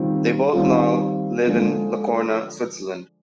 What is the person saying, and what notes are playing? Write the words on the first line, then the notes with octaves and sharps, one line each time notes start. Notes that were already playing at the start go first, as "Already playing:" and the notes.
They both now live in Locarno, Switzerland.
Already playing: D#3 G3 C4 F4
D#3 G3 C4 F4
D3 F3 G#3 D4